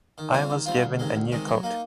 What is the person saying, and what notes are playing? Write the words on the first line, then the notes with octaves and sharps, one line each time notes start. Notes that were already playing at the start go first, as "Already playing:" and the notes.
I was given a new coat.
D#3
G3 C4 F4
D#3
G3 C4 F4
D2
C3 D#3 G#3
D2
C3 D#3 G#3
F#3
A#3 D#4